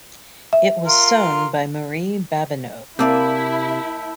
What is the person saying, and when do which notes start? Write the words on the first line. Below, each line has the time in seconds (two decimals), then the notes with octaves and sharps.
It was sewn by Marie Babineau.
0.53 E5
0.86 F4 A#4 C6
2.99 C3 A#3 E4 D5 E5 A5 E6 G6